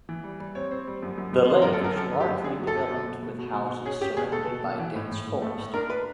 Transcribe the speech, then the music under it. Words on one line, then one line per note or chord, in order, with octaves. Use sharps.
The lake is largely developed with houses surrounded by dense forest.
E3
G3
G3
C4 C#5
C4
G3
F#2
F#2
F#2
D3 C5
A#4
F#2
A4
F#2 A#4
F#2 A4
D3
G4
F#2
D3 G#4
F#3
A4
F#2
B2
B2
B2
B2
B2
B2
C#4 G#4
C#4 G4
B2 G#4
B2 A4
B2
B2
E3
A2
A2
A2
A3
A2
D4 A#4
D4 B4